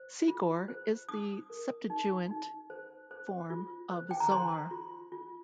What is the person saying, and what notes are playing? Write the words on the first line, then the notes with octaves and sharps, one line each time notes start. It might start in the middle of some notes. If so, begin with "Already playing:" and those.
Segor is the Septuagint form of "Zoar".
Already playing: C5
F4
C5
D#4 D#6
A#4
D#4
D#4
C5
C5
F4
C5
G5
A#5
C5 C6
F4
F4